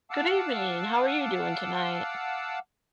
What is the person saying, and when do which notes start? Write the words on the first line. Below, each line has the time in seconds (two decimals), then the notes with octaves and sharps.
Good evening, how are you doing tonight?
0.11 F5 F#5 A5 D6 E6